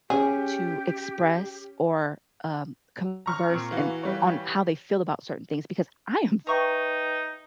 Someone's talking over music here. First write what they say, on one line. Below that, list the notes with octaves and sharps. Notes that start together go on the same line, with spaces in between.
to express or, um, converse and on how they feel about certain things, because I am f
C#4 G4 G#4
A#5 C#6 F6
A#2 C4
E3 F#4 F5
G3 C#5
D#4 B4 E5 G5 A#5 C#6